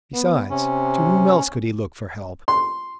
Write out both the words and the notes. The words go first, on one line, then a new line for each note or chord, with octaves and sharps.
Besides, to whom else could he look for help?
B3
C3 C#4
C6